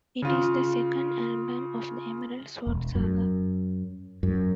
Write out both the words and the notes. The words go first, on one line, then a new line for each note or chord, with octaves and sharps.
It is the second album of the Emerald Sword Saga.
C#3 F4
E1
F#2
F#2